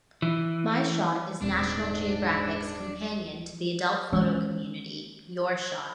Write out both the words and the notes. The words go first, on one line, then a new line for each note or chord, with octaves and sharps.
My Shot is National Geographic's companion to the adult photo community "Your Shot".
E3
D#1 G#2 B3 C4 D4
E3 G#3 C#4